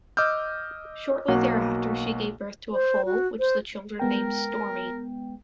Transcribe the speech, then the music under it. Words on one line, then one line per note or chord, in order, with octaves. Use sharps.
Shortly thereafter, she gave birth to a foal, which the children named Stormy.
D#5 D6 E6 F6 G6
B1 A#3 F#4 F#5
C5
F#4
C5
G#3 B3 A#4 G5